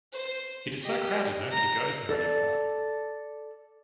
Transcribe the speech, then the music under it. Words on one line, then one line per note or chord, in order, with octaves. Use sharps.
It's so crowded nobody goes there anymore.
C5
G4 D#5
A#5
A4 D5 E6